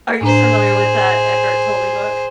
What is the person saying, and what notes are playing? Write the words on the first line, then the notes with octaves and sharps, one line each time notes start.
are you familiar with that Eckhart Tolle book?
A2 D4 G#4 C5 A#5